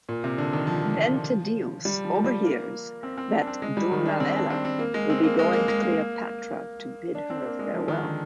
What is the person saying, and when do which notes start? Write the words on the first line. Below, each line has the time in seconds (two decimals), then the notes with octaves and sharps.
Ventidius overhears that Dolabella will be going to Cleopatra to bid her farewell.
0.09 A#2
0.24 C3
0.38 D3
0.53 D#3
0.67 F3
1.85 G3
2.05 F3
2.24 G3
2.44 A#3
3.03 C4
3.17 C4
3.32 D4
3.47 C4
3.62 G#3
3.77 G3
3.91 D#3
4.05 D4
4.20 C4
4.36 D4
4.50 C4
4.65 C4
4.79 A#3
4.94 G#3
5.10 C4
5.24 A#3
5.39 G#3
5.53 A#3
5.68 G#3
5.82 A#3
7.15 D4
7.30 C4
7.45 A#3
7.59 G#3
7.74 F3
7.88 D#3
8.03 D3